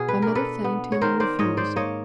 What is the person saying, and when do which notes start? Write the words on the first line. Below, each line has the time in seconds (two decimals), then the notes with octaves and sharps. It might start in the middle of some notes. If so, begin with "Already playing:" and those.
My mother thanked him and refused.
Already playing: B2 F#4 G#4
0.08 B4
0.22 D4 A#4
0.35 A4 B4
0.64 B3
0.92 C#5
1.01 D#3 A#4 C5
1.20 C5 D5
1.39 G#2 C#5 D#5
1.57 C5 D5
1.76 A#3 C#5 D#5